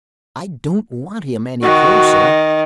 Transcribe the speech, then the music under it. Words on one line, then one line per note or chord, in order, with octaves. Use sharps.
"I don't want him any closer."
D#3 F#4